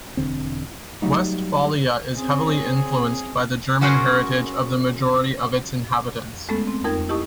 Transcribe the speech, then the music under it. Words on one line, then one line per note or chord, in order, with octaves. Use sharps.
Westphalia is heavily influenced by the German heritage of the majority of its inhabitants.
E1 C#2 D3 C4
F#3 G3 A3 D#4
C4 C#4 G#4
F#3 C#4 F#4 G#4 A#4 C5
G#3 A3 B3 C#4 A4
C4
F2 D#4 A#4 G5 G#6
E4 G4 D#5 A5 C#6 D#6